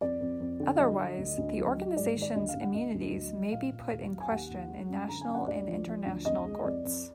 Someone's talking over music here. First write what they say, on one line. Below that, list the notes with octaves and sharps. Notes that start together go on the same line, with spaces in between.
Otherwise, the organizations' immunities may be put in question in national and international courts.
F2 D5
F2
F2
D3
F#3 D#5
D3
D2
D2
F#3
F#3
G#2 D5
D#3
D5
D2 D#5
F5
D2
F#5
D2 D#5
D2
F#3
F#3
A#2 F5
A#2
D#2
F#3
G#5
D#2 F#5
D#2
G#3
F#2
D3 A#5
G#5
F#2
F#5
D2 D5
F3
F3
D2
F2 D#5
G#3
F2 D5
F2